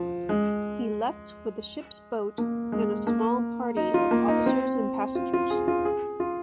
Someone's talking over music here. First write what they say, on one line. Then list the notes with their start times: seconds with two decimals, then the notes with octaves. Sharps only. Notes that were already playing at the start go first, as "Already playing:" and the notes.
He left with the ship's boat and a small party of officers and passengers.
Already playing: F3
0.29 G#3
2.38 A#3
2.72 G#3
3.07 A#3
3.77 D#4
3.94 F4
4.11 A#3
4.28 D#4
4.46 C4
5.15 F4
5.33 F4
5.50 G#4
5.68 F4
5.85 G#4
6.20 F4